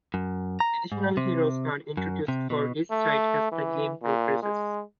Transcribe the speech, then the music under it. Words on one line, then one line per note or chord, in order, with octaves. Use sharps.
Additional heroes are introduced for each side as the game progresses.
F#2
A#5
G#2
C3
F#2
C3
B2
A3
E3
A#2
G#3